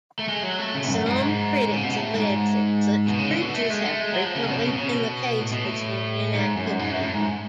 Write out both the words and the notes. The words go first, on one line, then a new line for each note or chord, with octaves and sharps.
Some critics allege that such breaches have frequently been the case with union activity.
A3
G#3
F#3
A3
C#3
F#2
G#2
A2
C#3
B2
A2
G#2
B2
C#3
D3
B2
A3
G#3
A3
G#3
F#3
F3
C#3
B2
C#3
B2
C#3
B2
A2
B2
A2
G#2
F#2
G#2
F#2
A2
G#2